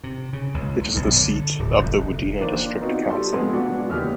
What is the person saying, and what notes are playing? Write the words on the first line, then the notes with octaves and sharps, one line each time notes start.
It is the seat of the Wudinna District Council.
C3
C#3
C#2
G2
B1
D3
D1
F1
D#3 F3 A#3 D4 F4 C5
B3 C4 D#4 F4 F#4
G3 A4 C6
F3 G#3 A3 B3 C4
F#3 G#3 B3 D4 F4 F#4
D#2 C#3 G4 B4 F6